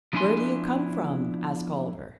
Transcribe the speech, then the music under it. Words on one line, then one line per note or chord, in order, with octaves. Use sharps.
"Where do you come from?" asked Calder.
F3 B3 D4 E4 G#5 C6